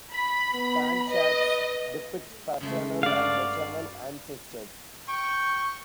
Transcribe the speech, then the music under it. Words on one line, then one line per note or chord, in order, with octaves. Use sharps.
Fan charts depict paternal and maternal ancestors.
B5
B3
B4 D#5
C#3 G#3 A3
G2 F#4 D5 F5
G5 C#6